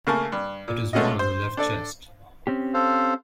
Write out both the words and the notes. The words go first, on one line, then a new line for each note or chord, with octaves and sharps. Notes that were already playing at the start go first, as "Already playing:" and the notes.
It is worn on the left chest.
C#3 A3 A#3 A#4 G#5 A5
G2
A#2
G#3 A3 C#4 F4 F#4 D#5
C5
D4 A4 D5
C4 C#4 G4
A4 C5 F5